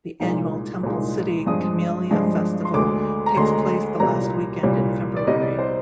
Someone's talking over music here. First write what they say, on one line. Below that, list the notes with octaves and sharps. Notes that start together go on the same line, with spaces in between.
The annual Temple City Camellia Festival takes place the last weekend in February.
C2 A#2 G#3 D#4
C2 A#2 G#3 D#4
G2 F3 G#3 D4 D#6
G2 F3 G#3 D4
C6
D2 D3 G#3 D6
A#5
D2 D3 G#3 C6
C2 A#2 G3 A#5
C2 A#2 G3
D5
C2 C3 G3 D#5
D5
C5